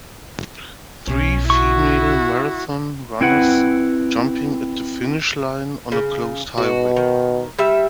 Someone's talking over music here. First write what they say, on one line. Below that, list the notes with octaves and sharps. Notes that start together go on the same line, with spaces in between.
Three female marathon runners, jumping at the finish line on a closed highway.
B1 C#4
E4 F#4 C#6
C4 E4 B4 F#5
C#3
B2 F#4
D#3
G3 E5